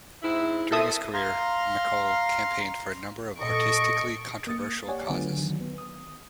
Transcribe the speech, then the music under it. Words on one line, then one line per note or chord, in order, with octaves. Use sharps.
During his career, MacColl campaigned for a number of artistically controversial causes.
G#2 C4 E4
C4 A4 A#4 E5 D#6
F5 A#5 C6
A#2 A4 D#5 C#6 D7
A#3 D#6 A6 C#7
G4 C#5 D5 F#5 G#5
D3 F#3 A3 B3 F4
D#3 F#3
B3
D#6